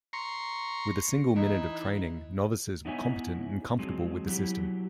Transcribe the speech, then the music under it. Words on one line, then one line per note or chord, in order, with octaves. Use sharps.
With a single minute of training, novices were competent and comfortable with the system.
A#5 C6 C#6
E3 D#4
B3 D#4 E4 C#5 E5 G#5
F3 F#3 G#3 C4
F#3 E4 G4